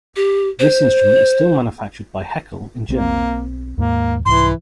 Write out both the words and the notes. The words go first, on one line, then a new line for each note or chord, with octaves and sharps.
This instrument is still manufactured by Heckel in Germany.
G4
C5
B1 F#3 A#3 C4
D#2 G#2 A#3
C2 G#2 E3 C6